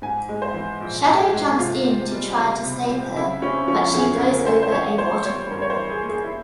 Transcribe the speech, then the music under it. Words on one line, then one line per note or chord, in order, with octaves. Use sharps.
Shadow jumps in to try to save her, but she goes over a waterfall.
G#2 G#5
G#3
C5
E3
A#1
G#2
G#4
G#3
C3 F4
C4
G3
C#2
C3
C4
C#3 E4
C4 C#4
F3 C#4
E2 G#4
C#3 A#4
C4 C5
C5
E3 C#5
A#3 C5
G3 C#5
G2 A#4
C#5
C5
E3
G#4
A#3
G#4
E4